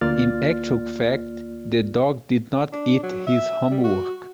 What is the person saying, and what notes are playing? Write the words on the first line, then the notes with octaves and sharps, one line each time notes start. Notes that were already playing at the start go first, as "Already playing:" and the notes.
In actual fact, the dog did not eat his homework.
D2 A#3 F4 D5 F6 A6
D4
F#3
E5
G3
F#4